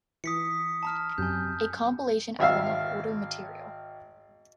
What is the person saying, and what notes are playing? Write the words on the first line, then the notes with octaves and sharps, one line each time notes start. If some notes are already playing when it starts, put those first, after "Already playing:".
A compilation album of older material.
E3 D#6 B6 C#7
A5 A#5 F6
F#2 C3 G#5 G6
G#1 E5 F5